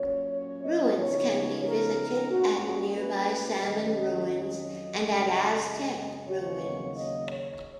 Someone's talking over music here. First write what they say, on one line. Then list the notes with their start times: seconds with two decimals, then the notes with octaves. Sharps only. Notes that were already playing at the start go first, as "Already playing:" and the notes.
Ruins can be visited at nearby Salmon Ruins and at Aztec Ruins.
Already playing: A#2 F#3 C#4 C#5
0.31 C#5
0.64 D#5
0.97 C#3 F3 B3 D#4 C#5
1.64 A#4
2.30 A#2 G#3 C#4 F#4
2.64 G#4
2.96 B4
3.63 F2 D#3 F#3 C#4 D#5
4.29 D#5
4.95 F#2 C#3 G#3
6.27 D#2 C#3 F#3 A#3 D#4 C#5
6.94 D#5
7.28 C#5